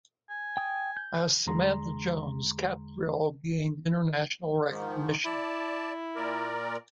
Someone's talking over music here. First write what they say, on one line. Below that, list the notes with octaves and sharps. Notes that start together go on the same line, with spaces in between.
As Samantha Jones, Cattrall gained international recognition.
G#5
G5 D#6
G6
E2 D3 G#3 A#5 C6
G#2 D#3 F3
E4 D5 A5
A#2 A#4 D5